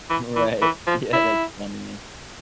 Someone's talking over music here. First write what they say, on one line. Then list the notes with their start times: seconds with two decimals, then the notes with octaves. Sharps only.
Right. Yeah, that's funny, yeah.
0.10 E3
0.36 E3
0.62 E3
0.87 F3
1.13 E4